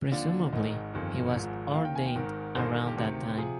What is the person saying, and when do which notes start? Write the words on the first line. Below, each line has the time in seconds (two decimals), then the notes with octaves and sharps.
Presumably he was ordained around that time.
0.12 D#2 D3 F3 D5
0.53 G#1 G#2 D#3 D#5
0.94 G1 F2 D#3
1.34 G#1 G#2 F3
1.74 D#2 D#3 F5
1.85 G5
1.95 G#5
2.06 G5
2.16 G#1 G#2 D#3 A#4
2.56 G1 G2 D#3 C5
2.66 A#4
2.87 G4
2.97 D2 C3 D#3 G4
3.37 C3 F3 G#4